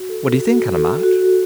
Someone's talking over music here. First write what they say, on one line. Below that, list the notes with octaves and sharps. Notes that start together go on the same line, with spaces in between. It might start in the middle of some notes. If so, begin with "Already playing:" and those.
What do you think, Anna March?
Already playing: F#4
A4
F#4
A4
F#4